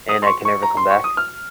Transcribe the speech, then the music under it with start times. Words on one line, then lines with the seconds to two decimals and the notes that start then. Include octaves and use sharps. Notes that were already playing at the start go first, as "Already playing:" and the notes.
And I can never come back?
0.09 D#6
0.22 C6
0.26 C#6
0.45 C#6
0.63 A#5
0.77 C6
0.90 C#6
1.04 D#6
1.17 F6